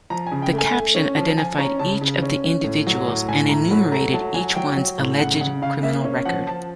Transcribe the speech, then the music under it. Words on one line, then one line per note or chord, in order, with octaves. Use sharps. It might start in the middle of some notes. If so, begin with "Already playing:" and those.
The caption identified each of the individuals and enumerated each one's alleged criminal record.
F3 A#5
G#5
C#3
G5
A3
G#5
A3
C#4
F3
F3 G#5
C#4 A#5
C#3 A5
C#3
C#4
C#4
A2
F#3
A2
A2 G#5
A2 A#5
F#3 B5
A3 A#5
F#3 A5
F#3 G#5
F#3 G5
F#3
A2
C#3 F#5
C#3 F#5
C#3 F5
A#3 E5
C#4
F3 F#5
F3 A5